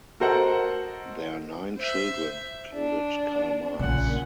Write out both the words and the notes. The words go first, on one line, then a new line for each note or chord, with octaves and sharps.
Their nine children included Karl Marx.
F#4 A4 A#4 C5 D#5 F#5
C5 E5
D4
A#1 A#2 C#3 F#5 G#5